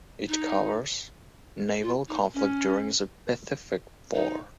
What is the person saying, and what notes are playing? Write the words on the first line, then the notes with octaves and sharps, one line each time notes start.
It covers naval conflict during the Pacific War.
D#4
F4
D#4
C#4
D#4